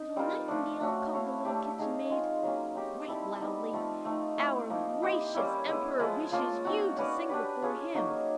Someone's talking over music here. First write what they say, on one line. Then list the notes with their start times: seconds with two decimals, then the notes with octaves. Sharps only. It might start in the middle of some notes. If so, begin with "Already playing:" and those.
"Little Nightingale!" called the little Kitchen-maid, quite loudly, "our gracious Emperor wishes you to sing before him."
Already playing: D#4
0.16 G3 C4 F4 A#4
0.48 F3 A3 D4
0.81 A3 C#4 F#4
1.13 E4 A4 C#5 F5
1.45 A3 D4 G4
1.79 D#4 G#4 C#5 F5
2.10 G#3 C4 F4
2.42 F#3 A#3 C#4
2.75 C4 D#4 G4
3.08 G3 C4 E4 A4
3.40 G3 B3 D#4
3.73 F3 A3 C4 F4
4.05 A3 C4 D#4
4.37 A3 C4 E4
4.70 F3 A#3 D#4
5.02 E4 G4 C5 D#5
5.35 G3 A#3 C#4 E4
5.67 G#3 B3 E4
5.99 F3 G#3 B3 E4
6.32 F3 A#3 C#4 F4
6.65 C4 D#4 F#4
6.97 C#4 F#4 B4 D5
7.29 D4 G4 B4
7.62 C#4 F4 G#4 C#5
7.94 F#3 A#3 D#4 F#4